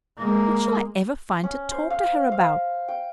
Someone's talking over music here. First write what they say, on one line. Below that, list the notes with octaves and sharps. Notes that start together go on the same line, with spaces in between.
What shall I ever find to talk to her about?
G#3 A#3
C#4
C5
F5
F5
G5